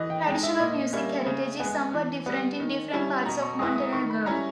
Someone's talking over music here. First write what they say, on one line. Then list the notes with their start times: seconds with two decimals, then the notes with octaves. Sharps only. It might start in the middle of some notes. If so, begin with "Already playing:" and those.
Traditional music heritage is somewhat different in different parts of Montenegro.
Already playing: E3 D#5
0.10 G5
0.27 G#3 D#4 G5
0.43 E5
0.59 A#2 D#5
0.93 G3 A#3 C#4 E5
1.26 C#3
1.60 G#3 B3 G#5
1.93 E3
2.26 G3 B3
2.60 D#3
2.93 G3 C#4 E4
3.26 B2 A#5
3.42 C#6
3.59 G#3 B3 E4 D#6
3.76 D#6
3.93 D#3 C#6
4.10 B5
4.26 G3 C#4 E4 A#5